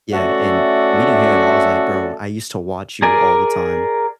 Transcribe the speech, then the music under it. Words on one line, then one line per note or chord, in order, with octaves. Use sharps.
yeah, and meeting him, I was like, "Bro, I used to watch you all the time."
A3 C#4 F#4 A4 D5 E5
G#4 A#4 D5 G#5